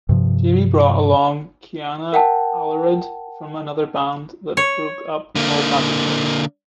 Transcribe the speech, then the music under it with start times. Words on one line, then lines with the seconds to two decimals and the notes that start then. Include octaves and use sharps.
Jamie brought along Kianna Alarid from another band that broke up called Magic Kiss.
0.09 G2 C3 F3
2.13 A#4 F#5 G5 A5
4.57 C#5
5.35 D3 A#3